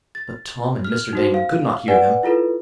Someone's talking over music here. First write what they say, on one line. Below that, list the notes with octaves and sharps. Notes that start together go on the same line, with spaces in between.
But Tom and Mr. Damon could not hear them.
A6
F6
D#4 F#4 C5
F5
B4 D5 F#5 G#5
E4 F4 A4 B4